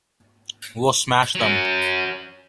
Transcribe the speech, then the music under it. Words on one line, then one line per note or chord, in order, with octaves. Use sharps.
We'll smash them.
F#3 C#4